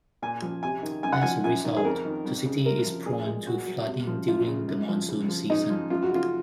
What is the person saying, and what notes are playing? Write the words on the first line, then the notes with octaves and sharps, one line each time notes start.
As a result, the city is prone to flooding during the monsoon season.
A#2 G#5
F3
C3 G#5
D#3
F#2 G#5
F#5
F3 G#5
F#2 G#5
D#3
G#4
F2 A#4
D#3
F2
C#3
C3 A#4
F3
A#2 G#4
G#3
A#2 F#4
F#3
C3
F3
F#2 F4
C#3
F#2
F3
C#3
F3
G#2 D#4
F3
F#2 F4
F#4
C#3 F4